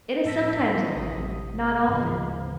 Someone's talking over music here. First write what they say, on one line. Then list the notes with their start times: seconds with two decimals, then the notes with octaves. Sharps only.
It is sometimes open--not often.
0.24 F2 A2 A5 E6 A#6 B6
0.95 A1 C3 D#6
1.87 D2 G#2 C#3 E3 F3 G#3